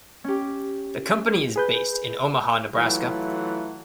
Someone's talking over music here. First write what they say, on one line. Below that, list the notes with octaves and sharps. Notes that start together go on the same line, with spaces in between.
The company is based in Omaha, Nebraska.
C#4 G4
G#4 B4 G6
E3 F#3 A3 F4